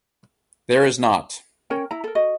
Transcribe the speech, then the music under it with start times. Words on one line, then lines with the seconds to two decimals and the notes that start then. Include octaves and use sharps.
There is not.
1.70 C#4 A#4 C#5 G5
1.91 E4 A#5
2.04 A4 A#4
2.15 F#4 D#5